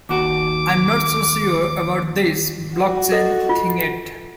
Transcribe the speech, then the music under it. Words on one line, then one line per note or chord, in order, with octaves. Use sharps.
I'm not so sure about this block chain thing yet.
D#2 F#4 D6
F#4
A4 D#5
F4